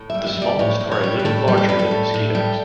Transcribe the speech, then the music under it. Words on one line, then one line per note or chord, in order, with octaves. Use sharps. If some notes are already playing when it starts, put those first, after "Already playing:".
The smallest are a little larger than mosquitoes.
Already playing: A2
G3 E5
E5
G3
D5
A2 C#5
A2
C#5
G3
B4
A2 A4
G3
A4
G3 B4
A4
A2
A2
G3